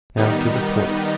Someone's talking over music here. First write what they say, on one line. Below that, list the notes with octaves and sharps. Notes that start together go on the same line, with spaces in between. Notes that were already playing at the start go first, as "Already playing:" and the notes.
Now, to the point.
D#3 G3 B3 D#4